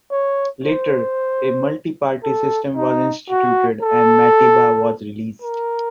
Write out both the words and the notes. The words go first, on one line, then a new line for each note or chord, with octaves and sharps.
Later, a multiparty system was instituted and Matiba was released.
C#5
C5
A4
D#4
F#4
A4
A#4